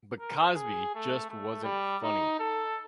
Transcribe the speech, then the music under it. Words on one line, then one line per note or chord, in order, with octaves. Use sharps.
But Cosby just wasn't funny.
A#4
G#4
A3
A3
G3
D#4
A4